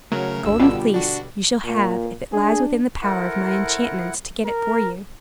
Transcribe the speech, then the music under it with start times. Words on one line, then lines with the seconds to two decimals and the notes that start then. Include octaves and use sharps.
The Golden Fleece you shall have, if it lies within the power of my enchantments to get it for you.
0.12 C#3 F#3 A3 A#4
0.43 G#1 D2 E6
0.59 B2 D3 G3 F4 G5
0.94 D4 F#4
1.64 A#2
2.33 D4 G#4
3.02 E4 A4 A#4 C5 F#5
4.45 A#4